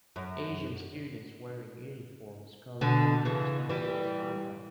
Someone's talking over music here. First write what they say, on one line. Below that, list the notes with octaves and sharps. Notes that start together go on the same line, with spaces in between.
Asian students wearing uniforms collect around a Star Wars icon.
F#2
B2 D3
C#3 E3
E3 G3